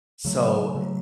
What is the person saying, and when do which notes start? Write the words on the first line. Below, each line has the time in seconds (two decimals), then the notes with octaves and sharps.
So, eh eh
0.25 C#3 F#3 A3
0.75 C#3 F#3 A3